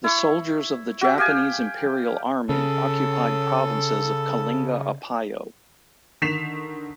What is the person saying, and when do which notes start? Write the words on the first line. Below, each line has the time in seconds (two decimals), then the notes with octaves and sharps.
The soldiers of the Japanese Imperial Army occupied provinces of Kalinga-Apayao.
0.04 E4 C#6
1.01 F#4 E5
1.18 G4 F5 G5 G#5
2.49 C#3 A4
6.22 D3 D#3 B6 C7 E7 F7